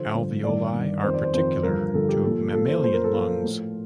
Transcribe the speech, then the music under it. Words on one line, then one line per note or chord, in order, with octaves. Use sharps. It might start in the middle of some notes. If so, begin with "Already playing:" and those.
Alveoli are particular to mammalian lungs.
Already playing: D3 F3 C5
G2 D3 F3
D#3 D5
G2
G2 D#3
F2 D#3 C5
D5
C5
F2 D#3 C5
G2 D3 F3 A#4
G2 D3 F3 A4
G4
A#2 F3 A4
A#2 F3 A4
C5
A#2 F3 C5
A#4
A4
A#2 F3 F4
A2 F3